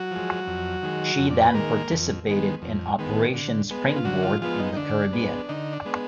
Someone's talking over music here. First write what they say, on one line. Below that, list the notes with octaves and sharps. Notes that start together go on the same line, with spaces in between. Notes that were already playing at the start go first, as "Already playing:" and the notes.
She then participated in operation "Springboard" in the Caribbean.
Already playing: F#3 F#4
F3 G#3
F2
D#3 G#3
F2
D5
B4
D#3 G#3 A#3 A#4
F2
D#3 G#3 B3
F2
D#3 G#3 B3
D3
G#3 B3
F4
D3 F#3 F#4
F3 F4
F3 G#3 B3 F4
D#4
D3 D4
G#3 B3
D3 D#4
D4
G#3 B3